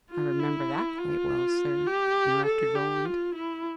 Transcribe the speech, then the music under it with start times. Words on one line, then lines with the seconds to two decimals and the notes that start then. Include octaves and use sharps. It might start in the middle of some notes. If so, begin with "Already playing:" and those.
"I remember that quite well, sir," interrupted Roland.
0.10 F4
0.40 E4
0.98 F4
1.87 G4
2.46 A4
2.75 G4
3.05 F4
3.35 E4